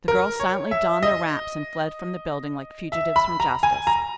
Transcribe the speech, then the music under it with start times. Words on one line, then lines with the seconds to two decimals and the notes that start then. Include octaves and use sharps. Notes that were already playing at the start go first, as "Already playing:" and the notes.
The girls silently donned their wraps and fled from the building like fugitives from justice.
0.08 A#4
0.40 C#5
0.71 E5
1.03 D#5
2.92 E5
3.16 B5
3.40 A#5
3.63 G#5
3.87 A#5